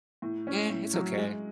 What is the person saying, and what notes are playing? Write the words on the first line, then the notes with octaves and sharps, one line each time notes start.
Yeah, it's okay.
A2
C#4
A2
F#3
G#3